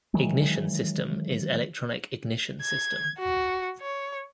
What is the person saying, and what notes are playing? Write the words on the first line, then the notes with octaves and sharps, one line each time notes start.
Ignition system is electronic ignition system.
D#3 E3 F#3 G#3
G#6
F#4
C#5